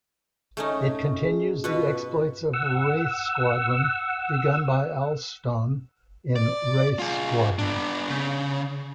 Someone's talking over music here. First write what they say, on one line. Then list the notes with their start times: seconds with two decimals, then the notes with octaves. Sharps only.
It continues the exploits of Wraith Squadron begun by Allston in "Wraith Squadron".
0.57 A3 C#4 D#4
1.22 G#4
1.64 B2 F4 F#4 B4
2.53 F#5 E6
6.36 D5
6.99 F4 G#4
7.59 B3 D4
8.10 C#3